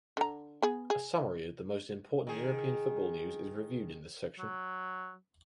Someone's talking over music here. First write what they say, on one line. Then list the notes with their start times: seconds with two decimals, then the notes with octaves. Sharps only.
A summary of the most important European football news is reviewed in this section.
0.17 D3 A#5
0.62 B3 G#4
0.90 G#4
2.27 D#3 G#4
4.39 F#3